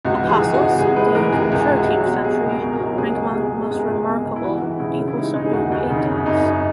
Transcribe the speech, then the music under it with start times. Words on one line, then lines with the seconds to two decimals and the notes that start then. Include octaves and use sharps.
Apostles, dating from the thirteenth century, rank among the most remarkable medieval Serbian paintings.
0.05 C#2 F#4
0.23 E3
0.29 G#4
0.41 E3
0.54 F#4
0.60 C#2
0.78 C#2 G#4
0.96 G#3 B4
1.08 B4
1.15 E3 A#4
1.33 C#2 G#4
1.52 C#2 G#4
1.70 C#2
1.76 F#4
1.88 F#3
2.01 F#4
2.06 B2
2.24 B2 G#4
2.43 C#2
2.49 A#4
2.61 B2
2.73 A#4
2.80 F#3
2.98 C#2 G#4
3.16 C#2
3.34 B2 G#4
3.53 G#3
3.71 C#2 G#4
3.80 A#4
3.89 C#2 G#4
4.07 B2
4.25 C#2
4.36 E4
4.44 E3 F#4
4.62 E3
4.80 C#3 E4
4.98 C#3
5.08 E4
5.16 G#3 D#4
5.35 C#3 D#4
5.45 G#4
5.53 D#2 F#4
5.71 D#2 G#4
5.90 C#3 D#4
6.08 F#2
6.26 F#2 D#4
6.45 F#2